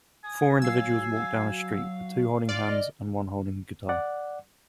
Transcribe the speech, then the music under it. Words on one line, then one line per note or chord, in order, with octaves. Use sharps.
Four individuals walk down a street, with two holding hands and one holding a guitar.
G#5 D#6
F#3 F5 E6 C7
F5
F4 D5 F6
D#5
D5 F#5